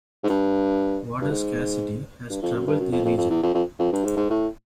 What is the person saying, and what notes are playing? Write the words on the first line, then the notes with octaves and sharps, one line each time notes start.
Water scarcity has troubled the region.
G#2
G2
G2
G#2
G2
F2
F#2
G2
F#2
F2
F2
F2
E2
F2
F2
F2
G2
G#2
G#2
A2